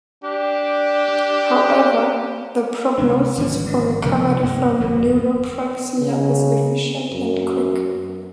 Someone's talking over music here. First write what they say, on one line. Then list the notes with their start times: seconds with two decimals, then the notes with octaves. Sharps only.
However, the prognosis for recovery from neurapraxia is efficient and quick.
0.24 D4 G4
2.98 C3 G#3 D4
3.37 G#1 D3 F3 G3
4.05 C3 F3
4.43 G2 C3 A#3 C4
4.80 G1 F2 B2 F#3
6.00 C#3
7.12 F#2